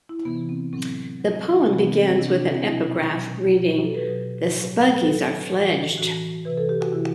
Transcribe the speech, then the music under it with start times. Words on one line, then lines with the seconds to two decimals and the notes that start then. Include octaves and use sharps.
The poem begins with an epigraph reading: "The spuggies are fledged".
0.09 E4
0.25 C3 E3 B3
0.49 C4
0.73 A2 F#3 C4
1.20 A2 F#3
1.68 C3 E3 C4
1.79 B3
1.89 C4
2.05 C4
2.16 C3 E3 D4
2.28 D4
2.40 D4
2.52 C4
2.64 B2 F#3 E4
3.11 B2 F#3
3.59 B2 F#3 F#4
3.71 G4
3.83 A4
3.95 B4
4.07 B2 F#3
4.55 A2 F#3
4.92 B4
5.02 A2 F#3 A4
5.50 A2 E3
5.97 A2 E3 F#4
6.45 C3 E3 B4
6.57 A4
6.69 G4
6.81 F#4
6.92 C3 E3 E4